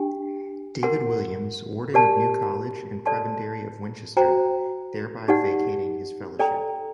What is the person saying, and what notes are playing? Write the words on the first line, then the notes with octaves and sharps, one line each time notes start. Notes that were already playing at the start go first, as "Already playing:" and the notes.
David Williams, warden of New College and prebendary of Winchester, thereby vacating his fellowship.
Already playing: D4 G4 G5
A#4 F#5 C6
G4 A#4 D5 A5
A4 D5 A5 C6
F#4 C5 G5 A#5
D#4 G4 D5 F#5
A4 D5 G5 A#5